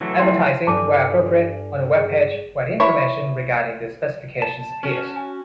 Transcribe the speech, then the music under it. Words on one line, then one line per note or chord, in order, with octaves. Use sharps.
Advertising: where appropriate; on the web page, where the information regarding the specifications appears.
E3 F#3 A3
E4 E5 G5 G#5 C6 C7
G2 A4 D5 G#5 A5 D6
G#4
E3 E4 C#5
A5
C#4 F#4
G#5